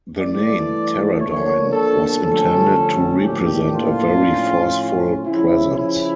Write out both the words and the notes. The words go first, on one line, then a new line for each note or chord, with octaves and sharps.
The name, Teradyne, was intended to represent a very forceful presence.
G2 E3 A3 D5
D3 F3 A#3 D4 C#5
A4
G2 D3 F3 A3 C#4 A4
A2 F3 A#3 D4 G4
F4
A2 F3 C#4
C#3 F3 C#4 E4
E4